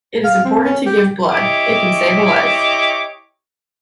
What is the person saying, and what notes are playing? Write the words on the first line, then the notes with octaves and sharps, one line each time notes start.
It is important to give blood, it can save a life.
F5
C4
C#4
G4
E4 G4 C#5 D#5 D6